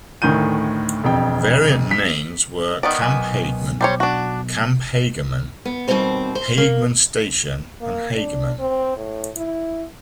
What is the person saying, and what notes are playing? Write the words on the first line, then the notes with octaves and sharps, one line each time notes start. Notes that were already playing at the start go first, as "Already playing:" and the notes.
Variant names were Camp Hageman, Camp Hagerman, Hageman Station, and Hagerman.
D2 A2 D#3 G6 D#7
E1 F2 G5
B6
D#3 B3 D5
B1 G#5
G3 C5 C#5
D4 F#4
B3
D#2 B2 F3 G3 C4 C5
C5
A#3
A#3
D4
C4
A2
E4